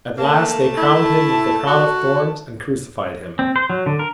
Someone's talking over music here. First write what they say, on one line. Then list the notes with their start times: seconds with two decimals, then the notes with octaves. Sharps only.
At last they crowned Him with the crown of thorns and crucified Him.
0.18 A3 A#3 A5
0.77 E4
1.67 F#4
3.39 C4
3.56 C5
3.70 F#3
3.86 D3
3.99 A#4